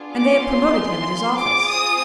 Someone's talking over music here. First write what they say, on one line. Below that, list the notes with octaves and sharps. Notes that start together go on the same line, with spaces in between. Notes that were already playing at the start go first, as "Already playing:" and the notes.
"And they have promoted him at his office."
Already playing: B3 D4 F4 G#4
D6
C6
C4 F4 G#4 D6
D#6